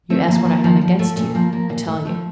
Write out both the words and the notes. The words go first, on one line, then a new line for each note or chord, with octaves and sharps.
You ask what I have against you; I tell you.
F3 A3 C4
F3 A#3
F3
F3
F3
F3 A3
A#2 A3
F3 A#3
F3 A#3
A#2 A#3
A#2 A3
F3 A3